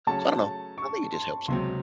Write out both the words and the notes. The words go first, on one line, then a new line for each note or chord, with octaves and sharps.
So I dunno. I think it just helps 'em.
C#3 F#3 A3 C#4 A5
C#6
C6
C#2 C3 F#3 C4 C6